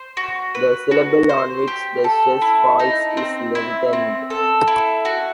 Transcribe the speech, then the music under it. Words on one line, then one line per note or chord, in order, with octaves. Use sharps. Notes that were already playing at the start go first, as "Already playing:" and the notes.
The syllable on which the stress falls is lengthened.
Already playing: C5
F#4
B4
F#4
C5
G4
A4
E4
D#4
C4
E4
C4
A4
E4
F#4